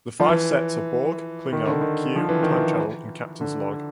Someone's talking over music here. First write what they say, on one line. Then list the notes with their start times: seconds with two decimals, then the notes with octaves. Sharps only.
The five sets are Borg, Klingon, Q, Time Travel, and Captain's Log.
0.20 F3
0.28 E3
1.53 D#3
1.67 D3
1.81 D#3
2.16 F3
2.29 E3
2.43 D#3
2.57 E3
3.41 D3